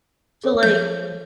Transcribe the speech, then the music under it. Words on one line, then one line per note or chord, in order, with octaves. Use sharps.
to, like
G#4 A4 C#5
F3 G6